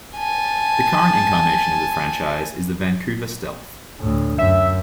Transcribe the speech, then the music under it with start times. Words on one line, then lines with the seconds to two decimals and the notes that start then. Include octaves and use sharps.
The current incarnation of the franchise is the Vancouver Stealth.
0.17 G#5 A5
4.00 D2 A2
4.38 F#2 E5